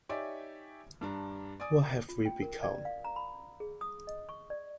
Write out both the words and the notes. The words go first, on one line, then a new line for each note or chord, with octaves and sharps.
What have we become?
D#4 G4 C#5 D5 E5 G#5
G2 D4 A#5
D5 G#5 D#6
F4
G5
A#4
D5
F5
A#5
B5
G#4
D#6
D#5
C#6
D5